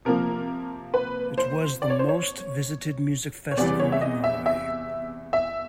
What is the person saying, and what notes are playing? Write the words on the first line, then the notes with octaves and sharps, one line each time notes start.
It was the most visited music festival in Norway.
C3 F3 A#3 A#4
B4
C5
D5
C#5
C5
C#5
C#5
E2 C3 E3 G3 D5
C#5
E5
D#5
E5
E5
E5